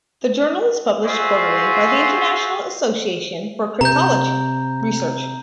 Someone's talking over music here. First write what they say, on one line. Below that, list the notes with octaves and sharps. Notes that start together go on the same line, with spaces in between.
The journal is published quarterly by the International Association for Cryptologic Research.
F4 F#4 G#4 C5 E5
C3 A#5 G6